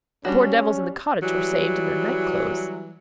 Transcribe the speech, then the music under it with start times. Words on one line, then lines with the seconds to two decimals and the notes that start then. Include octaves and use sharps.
The poor devils in the cottage were saved in their night clothes.
0.25 G3 C#4 D4 F#4
1.23 E3 F#3 G3